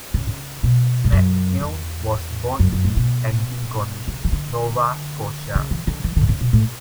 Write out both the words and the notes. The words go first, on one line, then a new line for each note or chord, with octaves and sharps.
MacNeil was born in Antigonish, Nova Scotia.
C#3
B2
G2
F#2
E2
F#2
F#2
A2
B2
C#3
E3
D3
C#3
E3
D3
E3
D3
C#3
B2
A2